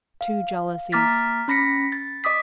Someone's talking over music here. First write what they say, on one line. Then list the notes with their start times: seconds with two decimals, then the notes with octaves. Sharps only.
Two Jealousies.
0.21 F5
0.92 A#3 A#5 D6 F6 A6 B6
1.48 C#4 B5 A#6 B6 C#7
1.92 A6
2.24 D#5 D6 D#6 B6